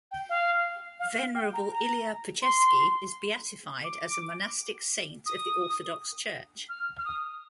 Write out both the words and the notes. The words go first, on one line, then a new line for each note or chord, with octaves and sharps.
Venerable Ilya Pechersky is beatified as a monastic saint of the Orthodox Church.
G5
F5
F5
G5
A#5
A#5
C6
D6
D#6
F6
F6
D#6